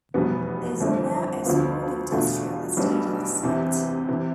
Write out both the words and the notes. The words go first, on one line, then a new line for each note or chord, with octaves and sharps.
There is now a small industrial estate on the site.
F1 E2 B2 G3 B3
G1 F2 E3 A3 D4
D2 D3 F3 B3 F4
E2 B2 A3 D4 F4
B1 A2 G3 B3 D4
E2 C3 E3
C3 E3